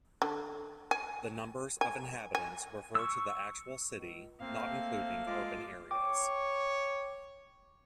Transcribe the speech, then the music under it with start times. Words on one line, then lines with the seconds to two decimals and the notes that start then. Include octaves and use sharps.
The numbers of inhabitants refer to the actual city, not including urban areas.
0.22 D3
0.91 G#5
1.81 G#5
2.35 G#5
2.95 C#6 E6
3.97 C#2
4.41 A3 A#3 C4 F5
5.27 G#3 F4 D6
5.91 C#5 G5 D6